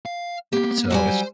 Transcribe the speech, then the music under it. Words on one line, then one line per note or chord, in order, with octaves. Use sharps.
so it's
F5
A#3 B3 G4
F#3 G3 G#5
C5